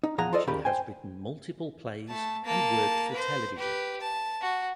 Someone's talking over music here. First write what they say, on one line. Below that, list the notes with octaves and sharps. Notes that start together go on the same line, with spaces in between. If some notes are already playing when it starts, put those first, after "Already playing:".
She has written multiple plays and worked for television.
D#4
E2 A#2 F3 G#4 F#5 A#5
F4 A4 C5 D5 D#5
D#2 C#3 G4 A#4 B5
C5 G5 G#5
A3 A5
A#3 A5
B4 C5
G4 B4
A5
F#4